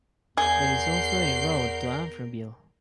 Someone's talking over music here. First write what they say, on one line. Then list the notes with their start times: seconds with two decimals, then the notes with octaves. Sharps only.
There is also a road to Amfreville.
0.37 E2 G#4 A#4 G6 C7